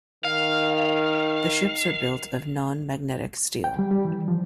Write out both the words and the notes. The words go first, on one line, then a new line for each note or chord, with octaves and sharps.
The ships are built of non-magnetic steel.
D#3 F5
G5
G3
G3
E3
F3